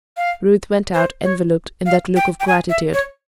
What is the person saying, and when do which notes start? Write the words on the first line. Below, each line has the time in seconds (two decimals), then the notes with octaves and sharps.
Ruth went out enveloped in that look of gratitude.
0.17 F5
0.94 C5
1.24 C#5
1.86 F5
2.16 G5
2.40 G5
2.48 G#5
2.69 E5
2.94 C#5